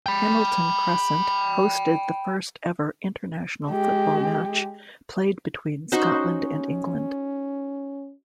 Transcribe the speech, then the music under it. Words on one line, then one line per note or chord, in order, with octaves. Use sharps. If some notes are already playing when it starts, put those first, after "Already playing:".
Hamilton Crescent hosted the first ever international football match, played between Scotland and England.
G5 B5
G#3 G4
C#4 D#4 F#4 C5